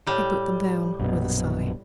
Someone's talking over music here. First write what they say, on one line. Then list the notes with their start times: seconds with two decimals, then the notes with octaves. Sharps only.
He put them down with a sigh.
0.07 A2 G3
0.99 A#1 F#2 B2